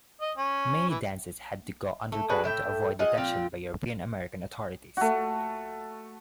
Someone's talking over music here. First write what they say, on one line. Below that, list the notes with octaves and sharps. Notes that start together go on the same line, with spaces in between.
Many dances had to go underground to avoid detection by European-American authorities.
D#5
C#4
E3
A3
D4 F#4 G#4 B4
A2 E5 G5
F4 G#4 D#5 F#5
A#2 F3 C4 F4
A3 F#4